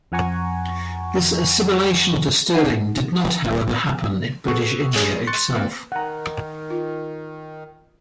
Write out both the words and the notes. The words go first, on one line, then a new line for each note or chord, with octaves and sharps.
This assimilation to sterling did not, however, happen in British India itself.
F2 F3 F#5 G#5 A#5 C#6
D#4 E5 F#5
F#4 G#4 A4 B4 C#6
A1 G#3 G#4 C#5
C6 C#6 F#6 A6 C#7
A#3 C4 A#4 B4
D#3 F#5 A#5
F4